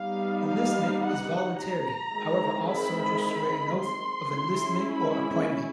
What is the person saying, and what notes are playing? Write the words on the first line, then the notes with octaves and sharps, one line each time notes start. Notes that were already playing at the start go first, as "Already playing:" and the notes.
Enlistment is voluntary, however all soldiers swear an oath of enlistment or appointment.
Already playing: G3 B3 D#4 F5
F5
F#5
A#5
D#3 G#3 C4 E4
B5
C6
G#3 C#4 E4
B5